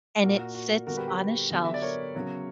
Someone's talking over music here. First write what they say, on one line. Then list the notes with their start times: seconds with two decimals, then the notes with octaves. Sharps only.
and it sits on a shelf
0.23 A#2 A#3 F#4 A#4
0.39 F#4
0.55 F#4
0.87 D3 G3 B3 F#4 A#4
0.97 G4 B4
1.08 G4 B4
1.50 D3 F#3 B3
1.64 E5
1.74 D5
1.82 A#4 C#5
2.15 C#3 F#3 B3